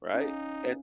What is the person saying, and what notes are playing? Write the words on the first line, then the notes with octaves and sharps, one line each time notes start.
right? And
C#4 D#4 F5